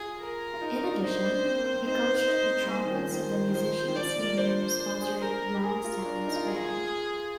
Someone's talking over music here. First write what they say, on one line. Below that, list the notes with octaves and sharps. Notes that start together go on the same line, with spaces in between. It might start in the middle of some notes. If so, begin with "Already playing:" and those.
In addition, he coached the trumpets of the Musicians Union sponsored Young Sounds band.
Already playing: F4 G#4
A#4
F4
D#4
D#4
D4
D#4 C5
D4
C4
A#3
C4
C4
D#4 C5
D#4
D#4
C4
G3
G#3 C5
D#3
F3
D#3 C5
D#3
D#3
F3 C5
D#3
F3 D5
A#3
D4 C5
D4
G#4
G#4 A#4
G4
G#4 A#4
F4
D4
D#4
F4
G#4